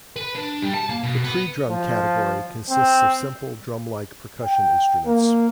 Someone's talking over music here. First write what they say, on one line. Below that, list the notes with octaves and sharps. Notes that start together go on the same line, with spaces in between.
The predrum category consists of simple drum-like percussion instruments.
B4
D4
G3
A5
A#3
B2
B3
F3
C4
G5
A#3